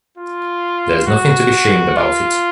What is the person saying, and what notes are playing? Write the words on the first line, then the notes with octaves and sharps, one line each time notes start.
There’s nothing to be shamed about it.
F4
F#4
F4